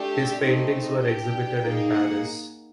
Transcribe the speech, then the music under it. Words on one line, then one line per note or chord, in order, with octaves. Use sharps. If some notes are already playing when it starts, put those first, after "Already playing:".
His paintings were exhibited in Paris.
Already playing: A3 D4 G4
E5
A3 C4 D#4 D#5
D4 G4 G5
A#3 D#4 G#4
F#5